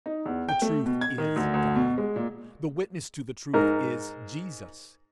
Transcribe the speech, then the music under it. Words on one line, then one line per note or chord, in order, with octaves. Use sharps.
The truth is God; the witness to the truth is Jesus.
D#4
E2
G5
A3
B2
G#6
D#3
D2
D2
B2
G#3
A#2
G#2 A#4